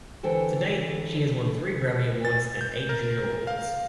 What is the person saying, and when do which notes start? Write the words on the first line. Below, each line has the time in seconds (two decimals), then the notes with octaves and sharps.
To date, she has won three Grammy Awards and eight Juno Awards.
0.23 D3 E3 A4 C5 G5
2.25 A6
2.61 G6
2.89 A#4
3.47 F5